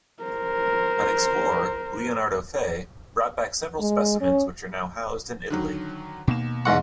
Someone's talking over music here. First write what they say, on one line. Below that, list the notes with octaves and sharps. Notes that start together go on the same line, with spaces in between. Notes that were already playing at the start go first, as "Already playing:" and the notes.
An explorer, Leonardo Fea, brought back several specimens which are now housed in Italy.
A#4 C5
G#3
C#4
D3 D#3 F#3
D#2 B2 A#3 E7
E2 G#2 F#5 C6 C#6